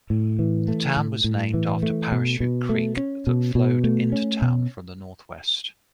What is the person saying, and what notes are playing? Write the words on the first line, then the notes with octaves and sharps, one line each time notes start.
The town was named after Parachute Creek, that flowed into town from the northwest.
A2
E3
A3
A2
A2
E3
A3
B2
B2
A3
C#4
B2
B2
A3
C#4
B2